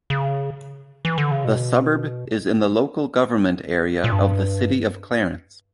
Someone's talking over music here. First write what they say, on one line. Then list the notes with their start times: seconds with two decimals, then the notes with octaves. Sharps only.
The suburb is in the local government area of the City of Clarence.
0.10 C#3
1.05 E3
1.18 D3
1.31 C#3
1.45 B2
4.04 A#2
4.12 G2